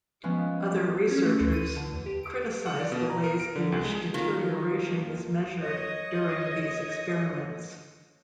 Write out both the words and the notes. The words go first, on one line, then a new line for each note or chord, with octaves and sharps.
Other researchers criticize the ways in which deterioration is measured during these experiments.
F3 G#3 B3 C#4
C#4
A3
D2
D#7
D3
E2
G4
D7
F#5
D5
B2
A#5
A#4
D7
D3
C2
G#3
D#3 F3 A#3 F4
C#5 D#5